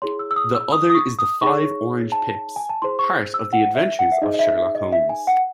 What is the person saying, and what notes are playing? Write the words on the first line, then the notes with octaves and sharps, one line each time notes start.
The other is "The Five Orange Pips", part of "The Adventures of Sherlock Holmes".
E4 G#4 C#5 C6
E6
E6
D#6
E6
D#6
D#6
C#6
D#6
D#4 G#4 C#5 C#6
A5
G#5
A5
E4 G#4 C5 C6
C#6
E6
F#5
E5
F#5
E5
D#4 G#4 C5 D#5
D#5
E5
E5
D#5
E5
G#5
F#5